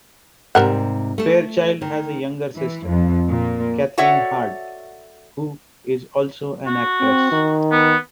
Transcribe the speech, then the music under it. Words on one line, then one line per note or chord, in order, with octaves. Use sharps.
Fairchild has a younger sister, Cathryn Hartt, who is also an actress.
G#2 C3 G3 A#4 F#5
A3 A4
D#3
E3
F2
A#2
F#4 A4 C#5 D5 E5 F#5
F#4
C4
D#3
B3